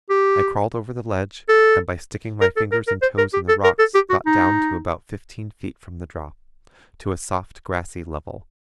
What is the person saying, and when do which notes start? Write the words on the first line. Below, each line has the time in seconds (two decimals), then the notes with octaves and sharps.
I crawled over the ledge, and by sticking my fingers and toes in the rocks got down to about fifteen feet from the drop to a soft grassy level.
0.10 G4
1.49 A4
2.41 A#4
2.57 A4
2.72 A#4
2.87 A#4
3.02 C5
3.18 A#4
3.34 G4
3.49 A4
3.64 A#4
3.79 A4
3.95 G4
4.10 F#4
4.26 D#4